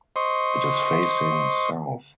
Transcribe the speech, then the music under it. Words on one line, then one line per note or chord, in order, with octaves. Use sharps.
It is facing south.
C5 D#5 C6 C#6